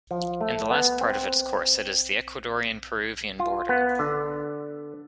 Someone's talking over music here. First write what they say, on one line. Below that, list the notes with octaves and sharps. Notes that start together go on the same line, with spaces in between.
In the last part of its course it is the Ecuadorian-Peruvian border.
F3
A3
B3
C4
F4
B3
D3